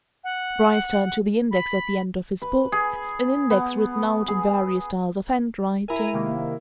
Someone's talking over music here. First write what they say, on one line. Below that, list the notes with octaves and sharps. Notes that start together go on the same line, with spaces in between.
Bryce turned to the index at the end of his book--an index written out in various styles of handwriting.
F#5
B5
B4
G#4
B3
G#4
E4 A#4 G#5 A#5 D#7
C3 D#3 A#3